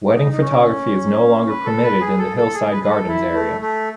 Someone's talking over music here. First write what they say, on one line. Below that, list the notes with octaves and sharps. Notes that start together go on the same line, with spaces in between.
Wedding photography is no longer permitted in the hillside gardens area.
D#4
D#4
C#4
B4
A4
B4
G#4
A4
A4
G#4
B4
B4
A4
E4
A3
A3